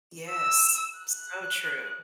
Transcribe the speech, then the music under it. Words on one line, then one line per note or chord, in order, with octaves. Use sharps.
Yes, so true.
E6
F#6